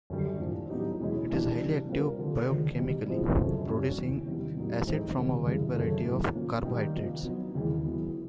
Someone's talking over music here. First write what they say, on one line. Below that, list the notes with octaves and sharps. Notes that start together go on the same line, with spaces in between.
It is highly active biochemically, producing acid from a wide variety of carbohydrates.
F#2 D3 G3
A2 F3 A#3 D4
A2 F#3 B3 D#4 G4
E2 B2 G#3 C#4 E4
E3 G3 A#3 D4 G4
C3 E3 G3
A#2 G3 C4 F4 A#4
D3 F3 A3
C#2 C#3 F3
B2 G3 C4 D#4
C3 F3 G#3 C4 E4
F#2 C#3 F3 A3 D4
G3 A#3 C#4 F#4
E2 C3 E3
E2 C3 D#3 G3
A2 F#3 A#3 D#4 G4
A2 E3 G#3 C4 D#4
C#2 C3 D#3 G3 A#3
F#2 C#3 E3 G#3
F#2 C#3 F#3 A3
A2 F#3 A#3
A#2 F3 A#3 C#4
D#3 G3 A#3
C3 F3 A#3
F#3 B3 D#4
D#2 C#3 E3 G#3
F#3 B3 E4